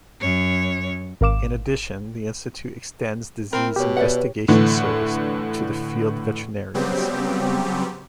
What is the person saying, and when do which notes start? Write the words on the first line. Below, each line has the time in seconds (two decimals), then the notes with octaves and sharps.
In addition, the Institute extends disease investigation service to the field veterinarians.
0.21 F#2 C#5
1.21 G#1 A#4 F5 D6 E7
3.53 C4 E4 A#4
3.76 B2 G4 C#5
3.97 B4 D5 E5 F#5
4.48 A2 D3 E3 A3
6.74 C#3 F#3 G3 B3 C4 G4